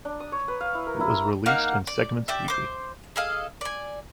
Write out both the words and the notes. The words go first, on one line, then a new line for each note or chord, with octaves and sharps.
It was released in segments weekly.
D4
D#6
C#5
B4
F5
E4
A#4
E4
A#5
A#3 D#4 F5 F#5
D5
D4 G4 E5
C5 D6
G#4 A4 D#5 F5
D5 G#5